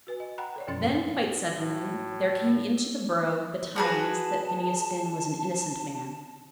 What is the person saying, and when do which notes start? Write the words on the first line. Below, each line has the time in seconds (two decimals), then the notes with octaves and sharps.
Then, quite suddenly, there came into the borough the tidings that Phineas Finn was an innocent man.
0.07 F#4 B4 G#5
0.20 D#5
0.38 F#5 G5 A#5 B5 F#6
0.56 A4 C#5 D5
0.67 F#2 B2 F3 C#4 C6 A6
0.82 G#2 A#3
1.56 A2 F#3
3.76 F#4 G#4 B4 A5